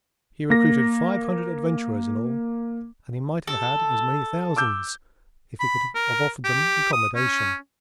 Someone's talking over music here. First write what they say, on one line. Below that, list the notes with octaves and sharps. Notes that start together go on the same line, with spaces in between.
He recruited five hundred adventurers in all, and he might have had as many thousands if he could have offered them accommodation.
A#3 A#6
A4
D6 E6 G6
B5
A#4
G4
D#6
C#4